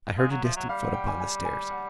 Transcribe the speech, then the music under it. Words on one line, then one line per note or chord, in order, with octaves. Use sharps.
I heard a distant foot upon the stairs.
G#3 F5
F#3
F3 E5
F#3
G3 F5
F#5
G5
G#5
G#5
G#5
F#5